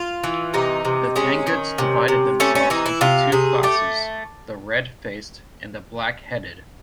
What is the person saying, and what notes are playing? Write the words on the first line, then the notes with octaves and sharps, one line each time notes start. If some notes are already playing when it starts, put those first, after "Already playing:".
The Tanguts divided themselves into two classes: the "Red Faced" and the "Black Headed".
Already playing: F4
E3
C3 D#4
C3
G#3 C#4
D#3
C3
C3
A3 C#4
C#4
E3 D#4
E4
C3 F4
C3 G#4
A3 G4